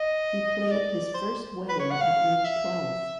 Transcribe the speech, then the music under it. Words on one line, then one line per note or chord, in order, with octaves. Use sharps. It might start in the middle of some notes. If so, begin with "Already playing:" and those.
He played his first wedding at age twelve.
Already playing: D#5
D5
C5
B4
C#5
F#5
F5
E5